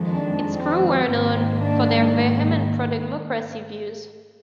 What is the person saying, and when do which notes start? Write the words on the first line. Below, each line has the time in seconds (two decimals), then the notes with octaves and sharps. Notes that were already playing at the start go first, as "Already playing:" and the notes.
Its crew were known for their vehement pro-democracy views.
Already playing: F2 D#3 G#3
0.08 D4
0.58 C4
1.09 G#2 D#3 A#3 C4
1.60 D4